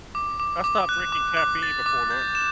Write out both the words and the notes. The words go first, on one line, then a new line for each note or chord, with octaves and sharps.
I've stop drinking caffeine before lunch.
D6
D6
D6
F#6
D6
D6
A6
D6
G6
E7